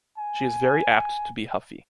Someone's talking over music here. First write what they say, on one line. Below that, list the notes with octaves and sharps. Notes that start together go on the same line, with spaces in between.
She is very apt to be huffy.
G#5